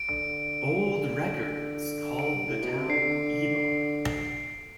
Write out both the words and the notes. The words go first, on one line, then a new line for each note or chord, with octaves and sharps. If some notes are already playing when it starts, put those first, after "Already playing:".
Old records called the town Ibon.
Already playing: D7
D3
D7
G2
A2
B2
C3
D3 C7